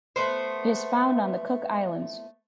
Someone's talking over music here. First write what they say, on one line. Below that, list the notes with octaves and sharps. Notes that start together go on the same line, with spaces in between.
It is found on the Cook Islands.
A3 B3 C5